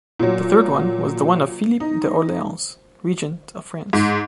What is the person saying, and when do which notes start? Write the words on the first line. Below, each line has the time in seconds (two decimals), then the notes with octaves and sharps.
The third one was the one of Philippe d‘Orléans, regent of France.
0.20 A#2 F#3
1.80 D#4
3.93 G#2